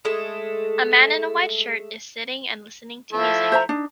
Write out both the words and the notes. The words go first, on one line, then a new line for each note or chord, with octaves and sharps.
A man in a white shirt Is sitting and listening to music.
G#3 A3
F3 A3 E4
C5 E5 A#5
D4 D#4